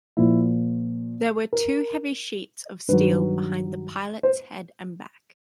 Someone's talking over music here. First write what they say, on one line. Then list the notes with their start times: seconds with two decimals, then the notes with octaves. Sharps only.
There were two heavy sheets of steel behind the pilot's head and back.
0.17 A#2 F3 A#3 E4
1.53 A#4
2.88 G2 D#3 F#3 B4
4.23 C5